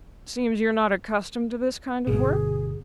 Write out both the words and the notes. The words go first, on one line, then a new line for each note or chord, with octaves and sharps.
Seems you're not accustomed to this kind of work?'
G1 B2 G#4